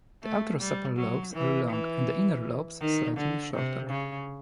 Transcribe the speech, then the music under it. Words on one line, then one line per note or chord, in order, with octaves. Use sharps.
The outer sepals lobes are long and the inner lobes slightly shorter.
A3
G3
F#3
E3
E3
D#3
D3
C3
C#3